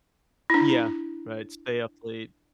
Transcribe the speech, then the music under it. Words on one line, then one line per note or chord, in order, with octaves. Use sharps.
Yeah. Right, stay up late.
D4 E4